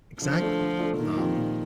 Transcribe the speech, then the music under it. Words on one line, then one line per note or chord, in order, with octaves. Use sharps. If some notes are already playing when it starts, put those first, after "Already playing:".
Exactly. Um,
D3 F3
A3 D4 F4
D3
A3 D4 F4
A#2 D#3
F3 C4 G4
A#2